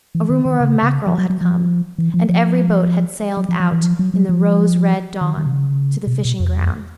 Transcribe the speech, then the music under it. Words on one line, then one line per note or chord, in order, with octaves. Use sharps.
A rumour of mackerel had come, and every boat had sailed out in the rose-red dawn to the fishing grounds.
E3
D#3
D#3
C#3
C#3
F3
F#3
F#3
F3
E3
F3
F3
F#3
F3
F3
E3
F3
F#3
F#3
F3
D#3
D#3
C3
C#3
B2
C3
B2
F2
E2
F2